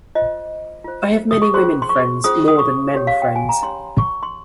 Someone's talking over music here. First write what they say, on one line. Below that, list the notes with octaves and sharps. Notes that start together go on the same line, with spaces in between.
I have many women friends, more than men friends.
F4 C5 D#5
F4 C5
D#6
C#6
C#4 F4 G#4 C5 C6
C6
C#6
C#4 F4 G#4 C5 D#6
D#6
C#6
C#4 G4 C#5
F5
G5
G#5
A#5
C#4 G4 C#5 C6
C#6
C6